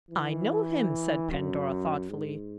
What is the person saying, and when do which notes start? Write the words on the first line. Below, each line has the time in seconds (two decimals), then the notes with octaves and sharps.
"I know him," said Pandora, thoughtfully.
0.11 E3
1.30 F#2
2.10 G#2